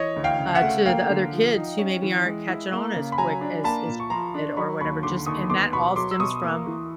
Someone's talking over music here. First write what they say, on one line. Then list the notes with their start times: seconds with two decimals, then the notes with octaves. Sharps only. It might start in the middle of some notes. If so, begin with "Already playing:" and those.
uh, to the other kids who maybe aren't catching on as quick as as she did or whatever, just and that all stems from
Already playing: E3 C#5 D#5
0.16 D2
0.24 F5 G5
0.39 C#3
0.55 E5 F#5
0.62 A3
0.86 A#3 F5 G5
1.09 D3
1.32 F3
1.55 D#4
1.79 C#4
2.02 E3
2.25 G#3
2.48 E4
2.72 A#3
2.95 C#3
3.12 B5
3.18 F#3 G#5 A#5
3.41 D4
3.64 A#3 A5 B5
3.87 A#2
4.00 C#6
4.10 F3 A#5 C6
4.34 D4
4.57 F#3 B5 C#6
4.80 D#2 B5 C#6
5.03 D3 C6 D6
5.26 D#2 C#6 D#6
5.49 B3 C6 D6
5.73 B2 B5 C#6
5.96 F#3 C6 D6
6.11 E6
6.19 B2 C#6 D#6
6.43 A#3
6.66 E3